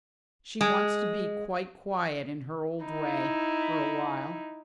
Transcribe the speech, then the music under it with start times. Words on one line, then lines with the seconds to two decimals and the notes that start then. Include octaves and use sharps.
She wants to be quite quiet in her old way for a while.
0.61 G#3
2.85 D#4 E4